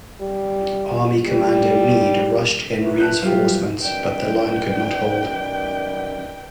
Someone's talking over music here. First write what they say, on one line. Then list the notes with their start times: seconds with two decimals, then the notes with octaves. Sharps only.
Army commander Meade rushed in reinforcements, but the line could not hold.
0.20 G3
1.25 G3
2.81 A#4 B4 E5
2.98 E4 A5 F#6 G6
3.22 F#3 G3 F4 G4 C5
3.40 F3 G3
3.81 F#2 D#3 B4 D5 G5